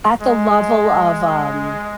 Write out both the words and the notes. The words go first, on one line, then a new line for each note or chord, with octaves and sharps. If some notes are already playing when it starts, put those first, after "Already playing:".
At the level of, um,
G#3